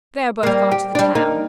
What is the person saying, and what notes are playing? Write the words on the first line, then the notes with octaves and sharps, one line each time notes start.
They're both gone to the town.
G3 A#3
G4
G3 D4
A#3 D#4